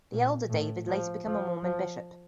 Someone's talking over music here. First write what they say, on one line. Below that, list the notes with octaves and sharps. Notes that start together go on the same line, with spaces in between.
The elder David later became a Mormon bishop.
A#2
A2
F3
F3
F3